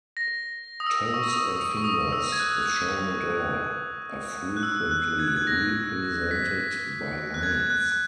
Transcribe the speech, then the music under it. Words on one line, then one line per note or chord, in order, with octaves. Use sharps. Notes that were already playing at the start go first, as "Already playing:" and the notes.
Toes and fingers, if shown at all, are frequently represented by lines.
A#6
D#6
E6
E6
C#6
D#6
D#6
C#6
D#6
E6
G#6
F#6
F#6
E6
F#6
G#6
F#6
G#6
A#6
B6
F#6
G#6
F#6